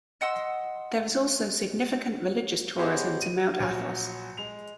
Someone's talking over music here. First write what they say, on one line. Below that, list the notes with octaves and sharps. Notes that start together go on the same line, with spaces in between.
There is also significant religious tourism to Mount Athos.
D#5 F#5 C6 E6
B3 C#4 G4 G#4 C5 D#5
D#7
A#1 F#3 G#5
G#3 F7